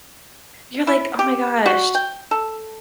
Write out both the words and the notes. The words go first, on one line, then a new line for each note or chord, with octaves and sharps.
You're, like, "Oh my gosh."
E4
G4
F#4
G5
A4